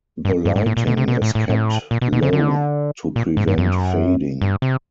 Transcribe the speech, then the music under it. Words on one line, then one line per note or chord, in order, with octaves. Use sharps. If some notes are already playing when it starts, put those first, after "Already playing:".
The lighting is kept low to prevent fading.
G2
G2
G#2
A2
A#2
B2
C3
B2
A2
A2
A2
A#2
B2
B2
C#3
D3
A#2
G#2
G2
F#2
G2
C3